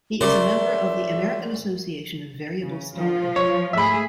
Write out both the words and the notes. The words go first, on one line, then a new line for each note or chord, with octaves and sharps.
He is a member of the American Association of Variable Star Observers.
C#3 A#4 C5 D5 E5
C#3
F3 F4
C#5
G#2 A3 G#4 E5 B5